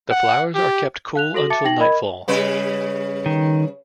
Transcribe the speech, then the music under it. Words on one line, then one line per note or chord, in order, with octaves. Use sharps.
The flowers are kept cool until nightfall.
F#5
G4
F5 F#6 F7
F#4 A4 A#6 F#7
E5 A5 D6 A6 C#7
D#4 G5 A#6 F#7
A#4 D#5 B5 G#6
C#3 G3 B4
D#3